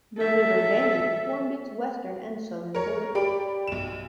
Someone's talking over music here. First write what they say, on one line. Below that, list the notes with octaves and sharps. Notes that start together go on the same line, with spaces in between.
The river Danube formed its western and southern border.
A4 E5
A#4 C#5
G4 D5 B5 D7
B1 E7